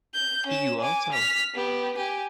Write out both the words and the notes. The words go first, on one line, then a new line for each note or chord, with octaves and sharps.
You also.
G6
C#4 E7
G#5 D6
F6 B6
B3 G4
G4 G#5